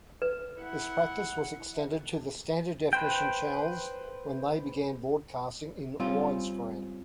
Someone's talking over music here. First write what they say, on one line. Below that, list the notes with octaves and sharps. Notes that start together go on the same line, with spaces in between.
This practice was extended to the standard-definition channels when they began broadcasting in widescreen.
B4
E4 F#5
B4 C5 G5
G3 C4 C#4 F4